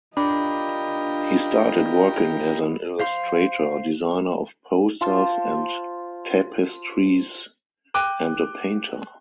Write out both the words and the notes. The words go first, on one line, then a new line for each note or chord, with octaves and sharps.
He started working as an illustrator, designer of posters and tapestries and a painter.
D4 F4 G4 A#4 D#5 B5
C5 F5 C6
F4 C5 A5
G5 D6 F#6 D#7